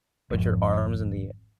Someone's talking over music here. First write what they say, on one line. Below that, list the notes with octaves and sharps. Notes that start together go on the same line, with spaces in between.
with your arms in the ai
G#1 F2